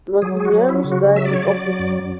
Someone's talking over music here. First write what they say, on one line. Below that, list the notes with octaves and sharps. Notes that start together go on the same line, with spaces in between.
Maximianus died in office.
F#3 G#4
G#4
F#4
F#3
E4
C#3
F#4
F#3 E5
D5
C#5
D5
F#3
F#2